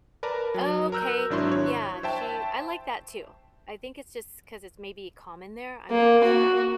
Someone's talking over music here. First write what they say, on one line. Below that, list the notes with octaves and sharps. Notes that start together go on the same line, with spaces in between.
Okay, yeah, she I like that too, I think it's just 'cause it's maybe common there, I'm not sure,
A#4 B4 D5 A5 A#5
F#3
A#4 A#5 E6 F#6 G6
G#1 F#3 D4 E4 C6 C#6
C#5
C5 E5 G5 A5
A#3
F#4